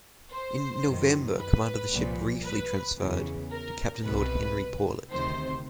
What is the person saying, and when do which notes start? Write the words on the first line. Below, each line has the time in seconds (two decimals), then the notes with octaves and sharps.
In November command of the ship briefly transferred to Captain Lord Henry Paulet.
0.32 C5
0.85 F#2 D#3
1.39 B4
1.92 C2 A#2 F3
2.44 B4
2.98 E2 C#3 E3
3.51 A#4
4.04 C2 B2 B4
5.11 D2 C3 D#3 C5